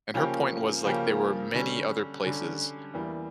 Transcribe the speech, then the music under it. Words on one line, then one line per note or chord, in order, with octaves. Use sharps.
And her point was, like, there were many other places
C#3 F3 A#3 C#4 G4
C#3 F3 A#3 C#4 G4
D3 G3 C#4
D3 G3 C#4
E2 E3 G3 A#3